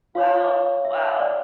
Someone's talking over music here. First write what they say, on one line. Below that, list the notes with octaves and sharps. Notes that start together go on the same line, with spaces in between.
Wow! Wow!
F4 C#5 F5
E5
D5